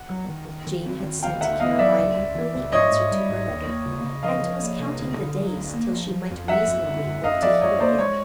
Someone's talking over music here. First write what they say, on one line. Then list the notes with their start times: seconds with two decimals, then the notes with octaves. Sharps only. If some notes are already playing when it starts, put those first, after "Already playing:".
Jane had sent Caroline an early answer to her letter, and was counting the days till she might reasonably hope to hear again.
Already playing: F#5
0.09 F#3
0.28 D#3
0.48 D#3
0.67 D#3
0.86 C4
1.04 D#3
1.23 D2 F5 G5
1.41 D2 E5 F#5
1.60 B3 D#5 F5
1.79 F#3 D5 E5
1.98 C#2
2.17 C#2
2.35 E3
2.55 C#2
2.72 G#2 C#5 D#5
2.92 G#2
3.11 G3
3.29 G#2
3.48 D#2
3.67 A#3
3.86 C#3
4.04 C#3
4.23 F3 D#5 F5
4.42 F3
4.61 A#3
4.79 C3
4.99 D2
5.18 D3
5.36 F#3
5.55 D2
5.74 A#3
5.92 F3
6.11 F3
6.30 F2
6.48 F3 E5 F#5
6.67 F#2
6.86 D3
7.05 F#2
7.24 F#2 D#5 F5
7.42 F3 D5 E5
7.61 F#2 C#5 D#5
7.80 A#3 C5 D5
7.98 G#3 C#5